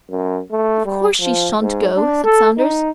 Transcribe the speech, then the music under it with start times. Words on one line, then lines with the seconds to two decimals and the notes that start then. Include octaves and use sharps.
"Of course she shan't go," said Saunders.
0.10 F#2
0.51 A3
0.86 G3
1.20 F3
1.60 G#2
1.96 D4
2.24 A4
2.58 D#4